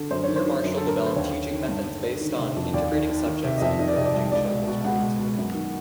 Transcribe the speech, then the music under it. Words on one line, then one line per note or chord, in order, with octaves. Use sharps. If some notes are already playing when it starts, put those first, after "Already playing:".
Here Marshall developed teaching methods based on integrating subjects and encouraging children's creativity.
Already playing: D3
F#2 C5
D#3 C#5
C5
D#3
F#2
D3 A4
A#4
D3 B4
C5
D#2 C#5
D#3
D#3
G2
D3
D3
D#3
C3
F2
D#2 D5
D#3
D#3
D#3
C3 E5
D#5
F2 E5
D#3 D#5
D5
C3 D#5
D5
C2
C#2 D5
B2
B2
C#2 F#5
B2
B2
F#2
D#3